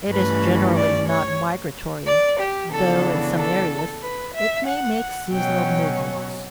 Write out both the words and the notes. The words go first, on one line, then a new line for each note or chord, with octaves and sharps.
It is generally not migratory, though in some areas it may make seasonal movements.
G2 E3 A3 C#4 B4
D5
C#5
D5
G4
C#3 E3 B3 D4 A4
A4
B4
E5
F#5
B2 F#3 C#4 G5